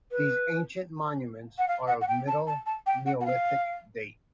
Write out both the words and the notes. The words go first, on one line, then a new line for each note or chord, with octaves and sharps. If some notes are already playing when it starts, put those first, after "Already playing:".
These ancient monuments are of middle Neolithic date.
B4
F#5
F5
F#5
F#5
G5
A5
A5
A5
G5
F#5
F#5
F5